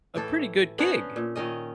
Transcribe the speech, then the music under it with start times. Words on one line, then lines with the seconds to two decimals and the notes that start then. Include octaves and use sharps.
a pretty good gig.
0.16 A2 E3 A4
0.79 B3 C#4 D4 C5
1.16 A#2
1.36 A#2 D#3 C#4 D#5